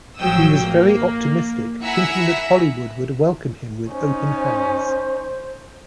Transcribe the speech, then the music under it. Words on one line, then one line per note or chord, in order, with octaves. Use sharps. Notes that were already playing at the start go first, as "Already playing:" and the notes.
He was very optimistic thinking that Hollywood would welcome him with open hands.
A1 F3 F#3 G5 D#6 E6
A#3
E4 E5 F#5 G#5 A#5 E6
C#4 D#4 C5
C5